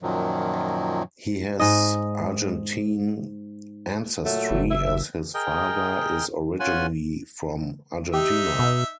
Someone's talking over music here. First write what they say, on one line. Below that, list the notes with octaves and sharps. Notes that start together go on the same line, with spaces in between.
He has Argentine ancestry as his father is originally from Argentina.
F#2 A#2 D#3 F3 F#3
G#2 D#5
A#2 F#3 A3
F#1
E5
G#4 A#4 D#5 G5
C#4 F4 F#5 G#5
D#4 G4 E5
B2